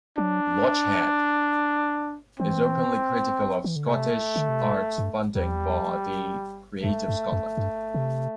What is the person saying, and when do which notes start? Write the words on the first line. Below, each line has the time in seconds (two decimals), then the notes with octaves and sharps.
Lochhead is openly critical of Scottish arts funding body Creative Scotland.
0.18 F#3 D4
2.40 E3 C4
3.64 E3
3.76 D3
3.87 C3 A3
4.36 D3
4.49 C3
4.61 B2
4.98 G2
5.35 E2 G3
6.83 F#2 A3
7.08 G2
7.32 F#2
7.58 G2
7.94 C3